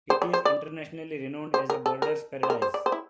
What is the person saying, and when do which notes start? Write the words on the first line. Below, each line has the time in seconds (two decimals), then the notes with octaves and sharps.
It is internationally renowned as a "birders paradise".
0.10 C5
0.22 D5
0.33 C5
0.45 D5
1.54 C5
1.70 A#4
1.86 A4
2.02 A#4
2.43 C5
2.50 A#4
2.62 C5
2.74 D5
2.86 C5
2.92 E4